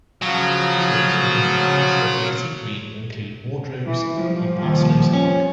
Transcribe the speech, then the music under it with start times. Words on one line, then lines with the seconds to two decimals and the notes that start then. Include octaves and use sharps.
Hamlets within the parish of Lacey Green include Wardrobes and Parslow's Hillock.
0.22 C#3 F3 F#3 F4
3.85 E3
4.16 F3 G3
4.63 D#2
5.13 C#4